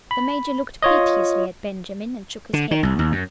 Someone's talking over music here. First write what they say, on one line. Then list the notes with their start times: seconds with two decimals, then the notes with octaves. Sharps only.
The Major looked piteously at Benjamin, and shook his head.
0.11 B5
0.82 F4 C#5 D#5
2.53 D3
2.71 D#3
2.83 C2
2.99 D#2
3.12 F#2